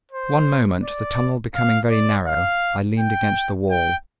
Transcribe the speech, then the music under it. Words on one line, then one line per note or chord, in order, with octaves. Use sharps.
At one moment, the tunnel becoming very narrow, I leaned against the wall.
C5
D5
F5
D5
F5
G5
G5